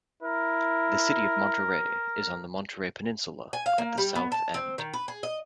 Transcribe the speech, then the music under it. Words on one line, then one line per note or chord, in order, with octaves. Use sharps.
The city of Monterey is on the Monterey Peninsula at the south end.
E4 A#4
G#5
F5
A#3
G3
B3
A5
C4
D#3
B4
G#4
D#5